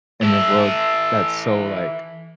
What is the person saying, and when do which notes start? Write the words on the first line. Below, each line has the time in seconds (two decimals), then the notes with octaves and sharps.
In a world that's so, like
0.22 E3 A4